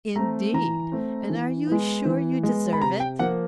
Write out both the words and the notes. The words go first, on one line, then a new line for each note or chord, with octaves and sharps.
'Indeed! and are you sure you deserve it?'
A3 C4 A#5
E3 A#5
A3 C4
E3
G#3 B3
E3
G#3 B3
B5
C3 A#5
G5
F3 A#3 F#5